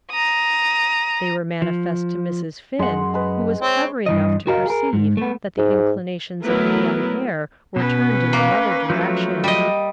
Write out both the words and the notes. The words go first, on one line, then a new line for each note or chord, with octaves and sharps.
They were manifest to Mrs. Finn, who was clever enough to perceive that the inclinations of the young heir were turned in another direction.
A#5 D#6
F3
F#2 G#3 F#5 C6
G#3 B4 D#5
C4 C#5
G2 E3 D#5
F#4 G4 A#4 D#5 F5
G#4 A#4
G#2
A3 B3
G#2
F#3 A3 B3 E4 A#4 B4
B2 C#4 B4
A#3
F3 F#3 A3
G3 D#5